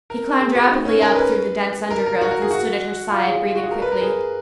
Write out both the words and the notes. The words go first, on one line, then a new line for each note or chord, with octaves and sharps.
He climbed rapidly up through the dense undergrowth, and stood at her side, breathing quickly.
A#4
G#4
F#4
D#4
C#4
A#4
B4
A#4
A#4
F#4
A#4
G#4
F#4
F4
G#4
F4
F#4
G#4
A#4
B4
A#4
G#4